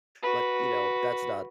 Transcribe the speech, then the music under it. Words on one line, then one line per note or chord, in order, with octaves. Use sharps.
but, you know, that's not
F#4 B4